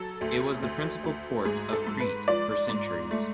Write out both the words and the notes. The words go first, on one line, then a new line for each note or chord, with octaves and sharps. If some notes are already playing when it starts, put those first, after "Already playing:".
It was the principal port of Crete for centuries.
Already playing: F#3 A4
D2
D2
D2
G#2 G#4
A4
G#2
B4
F3 D5
G#2
A3